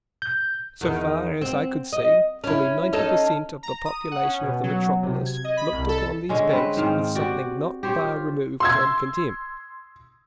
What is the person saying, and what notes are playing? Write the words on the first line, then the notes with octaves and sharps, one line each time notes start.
So far as I could see, fully ninety per cent. of the population of the metropolis looked upon these banks with something not far removed from contempt.
G6
E2 D#3
C4
D#5
C#4 E4
C#4 D#4 A4
A#5
D#6
F#5
C#4
B2
F#3
C3
G#6
D#5
B5
C2
A4
D3 G#3 C#4
C4 C#4 B4
G#2 D#3 C4 F5
F#4 G4 D5
G4 C5 C#5
F4
C6 E6 G#6